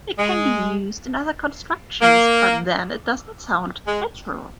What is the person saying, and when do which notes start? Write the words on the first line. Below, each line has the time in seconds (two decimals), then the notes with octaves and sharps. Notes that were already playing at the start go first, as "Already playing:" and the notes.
It can be used in other constructions, but then it does not sound 'natural'.
0.18 G#3
2.01 A#3
3.86 G#3